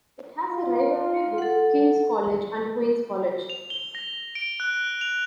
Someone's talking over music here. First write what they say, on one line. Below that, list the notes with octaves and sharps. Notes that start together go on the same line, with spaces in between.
It has a rivalry with King's College and Queen's College.
F4
A4 F#5
F7
G7
A#6
D7
F#6
F7